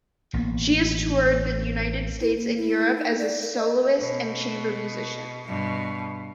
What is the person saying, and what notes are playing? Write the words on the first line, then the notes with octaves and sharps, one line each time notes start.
She has toured the United States and Europe as soloist and chamber musician.
A1 A#3 B3
E4
A#3
E4
D#4
D5
A#4
D#5
B2
G2 B2